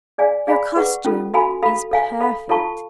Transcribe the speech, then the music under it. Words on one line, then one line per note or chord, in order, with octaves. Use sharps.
"Your costume is perfect."
G#4 D5 F5 G#5
G#4 D5 F5 G#5 B5
G#4 B4 F#5 C#6
C#4 F4 A4
F#4 A4 F5 G#5 B5
A4 F5 B5
A4 F5 G#5
A4 F5 B5
F4 A4 F5 A5 C#6